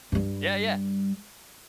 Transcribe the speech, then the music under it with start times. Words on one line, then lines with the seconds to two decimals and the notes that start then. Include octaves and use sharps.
Yeah, yeah.
0.12 G2 G3